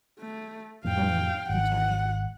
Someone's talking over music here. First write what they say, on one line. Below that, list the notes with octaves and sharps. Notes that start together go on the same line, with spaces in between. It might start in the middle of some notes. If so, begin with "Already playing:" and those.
Mm. I'm sorry.
A3
F2 A2 F5 G5
G#1 F#5